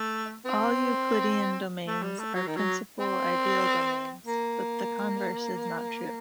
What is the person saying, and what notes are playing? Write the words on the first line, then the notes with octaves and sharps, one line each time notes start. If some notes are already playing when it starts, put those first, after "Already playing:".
All Euclidean domains are principal ideal domains, but the converse is not true.
Already playing: A3
C4
A3
G3
A3
F#3
D#3
F#3
C4
A#3